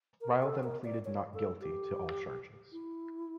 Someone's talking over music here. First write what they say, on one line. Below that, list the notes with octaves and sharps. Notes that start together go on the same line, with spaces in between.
Riel then pleaded not guilty to all charges.
A#4
A4
A#4
D5
C#5
A4
G4
E4